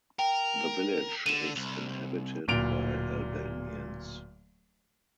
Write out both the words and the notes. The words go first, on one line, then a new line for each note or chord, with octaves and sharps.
The village is inhabited by Albanians.
A#4 G5
D3 D#7 E7
C2
D1 A#2 D7 F7